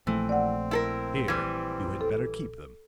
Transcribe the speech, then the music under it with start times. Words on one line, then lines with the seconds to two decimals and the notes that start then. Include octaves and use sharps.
'Here, you had better keep them!
0.07 A#1 E3 A3 C4
0.29 D5 F#5
0.71 E4 A4 A#4
1.28 E3 G3 G#6
2.01 A4